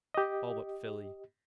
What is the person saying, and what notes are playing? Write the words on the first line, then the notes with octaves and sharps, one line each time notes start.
All but Philly.
G4 D#5